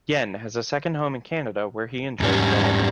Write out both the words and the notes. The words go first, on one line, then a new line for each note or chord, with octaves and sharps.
Yuen has a second home in Canada where he enjoys golf.
E2 G#2 G3 C#4